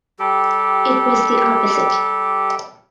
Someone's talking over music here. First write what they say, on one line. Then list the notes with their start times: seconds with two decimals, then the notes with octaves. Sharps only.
It was the opposite.
0.19 G3 G4 A4